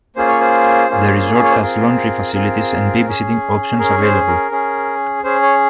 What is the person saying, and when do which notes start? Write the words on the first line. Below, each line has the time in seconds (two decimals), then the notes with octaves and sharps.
The resort has laundry facilities and babysitting options available.
0.16 A#3 C#4 F4 G#4 C5
0.28 C#5
0.40 C5
0.89 A#3 C#4 F4 G#4
1.43 C#5
1.52 C5
1.61 C4 F4 G#4 A#4
2.34 C4 F4 G#4
3.06 C#4 G#4
3.79 C#4 G#4 A#4
4.03 C5
4.27 A#4
4.51 C#4 G#4
5.23 C#4 G#4 C5
5.42 C#5